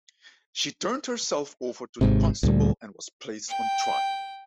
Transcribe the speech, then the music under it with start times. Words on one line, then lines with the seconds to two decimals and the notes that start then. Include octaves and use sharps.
She turned herself over to the constable and was placed on trial.
2.01 G#1 G#2 C3
2.43 D2 A#2 G3
3.49 G5